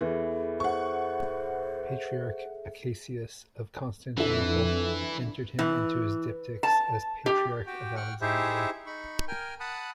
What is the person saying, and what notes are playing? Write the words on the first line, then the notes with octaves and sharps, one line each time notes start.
Patriarch Acacius of Constantinople entered him into his diptychs as Patriarch of Alexandria.
E2 E3 G#4 A4 E5
C5 F#5 C#6
F2 D3 E3 D4 E4 A4
E3
A5
G4
F#4 G4 G5
F#5 G5 C#6 F6
D#4 E4 G4 G#4 C5 E5
D#4 B5 C#6
A#4 G5 G#5 F6 G6
F#5 A5 B5 D#6 F#6